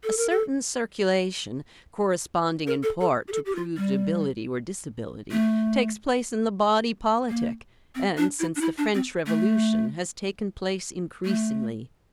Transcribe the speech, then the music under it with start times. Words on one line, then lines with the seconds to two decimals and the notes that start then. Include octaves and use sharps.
A certain circulation, corresponding in part to proved ability or disability, takes place in the body politic, and, since the French Revolution, has taken place increasingly.
0.04 A4
0.17 A#4
0.30 A4
2.67 A#4
2.83 A4
3.01 A4
3.28 G4
3.32 A4
3.46 G4
3.55 F4
3.77 G3
5.31 A3
7.29 A#3
7.95 C4
8.17 D4
8.39 E4
8.56 D4
8.61 E4
8.78 D4
8.94 C4
9.26 A3
11.25 A3